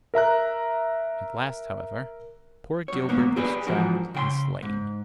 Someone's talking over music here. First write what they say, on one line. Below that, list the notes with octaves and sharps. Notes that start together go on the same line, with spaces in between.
At last, however, poor Gilbert was trapped and slain.
A#4 E5 A#5 F#6
F#2 C#5
D#2 G#2 A#3 B3
G4 G#4 B4 D5
F2 G#2 E3 F3 F#4 A#4
C#3 G5 C6
G#2